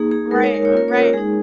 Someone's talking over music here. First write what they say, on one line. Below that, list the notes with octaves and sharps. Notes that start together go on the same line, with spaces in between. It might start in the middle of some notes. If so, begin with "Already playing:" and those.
Right, right.
Already playing: A#3 D#4 G#4
G#4
G#3 D#4 A#4
C#5
A#4
C#5
A#3 C#4 F4 A#4
C#5
A#4
G#3 D#4 G#4